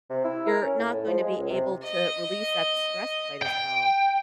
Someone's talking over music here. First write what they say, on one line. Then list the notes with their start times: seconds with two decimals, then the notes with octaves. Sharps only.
you're not going to be able to release that stress quite as well
0.10 C3
0.24 E4
0.47 A#4
0.62 C#4
0.79 A2
0.93 A2
1.07 F3
1.20 G#3
1.37 C#2
1.50 C3
1.84 D#5
3.42 G5